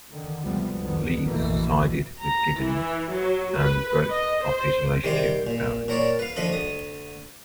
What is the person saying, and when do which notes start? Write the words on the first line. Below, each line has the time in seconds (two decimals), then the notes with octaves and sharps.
Leese sided with Gittens and broke off his relationship with Baron.
0.11 D3 D#3
0.44 D2 C3 F3 G3 G#3 B3
0.80 C2 F2 G#2 D3 D#3 B3
1.25 F1 A#1 B2 E3 A3 A#3
2.20 A#5
2.60 E3
3.11 F#3
3.56 B4
4.11 D#5
4.43 C5
5.04 C3 D#3 G3 G4 C5
5.47 A#2
5.88 A#2 A#4 C#5 D5
6.19 B4 F5
6.36 D2 F3 B4 D#5 B5
6.48 D2 D#6